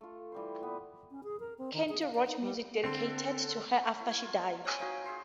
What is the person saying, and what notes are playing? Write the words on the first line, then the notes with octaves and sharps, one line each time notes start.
Keith wrote music dedicated to her after she died.
A3 F4
E3 G3 C5
A#2 B3
C#4
G#4
A#4
C4
D#3
G#4
F5
D5
D#4
G3
D3 C4 A4 C6
C#4 E4
G#6
F4
C4 B4 C#5 G#5
D#4 F#4 A#4 F5 G5 G#5
G#4 E5 C6